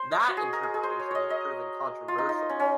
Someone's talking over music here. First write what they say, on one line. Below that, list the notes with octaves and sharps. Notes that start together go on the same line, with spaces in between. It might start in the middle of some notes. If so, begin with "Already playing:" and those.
That interpretation has proven controversial.
Already playing: C5
D#5
F#4
G#4
A#4
G#4
G#4
C5
C#5
C#5 D#5
D#5
F4
D#4
D#4
C#4
C#4